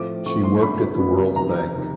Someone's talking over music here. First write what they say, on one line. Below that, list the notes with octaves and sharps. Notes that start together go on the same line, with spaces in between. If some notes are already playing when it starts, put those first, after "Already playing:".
She worked at the World Bank.
Already playing: A2 F3 A3 C4 D6
A2 F3 A3 C4 C#6
C6
C#3 F#3 B3 D4 B5
C#3 F#3 B3 D4
F2 C3 D#3 A#5
C3 D#3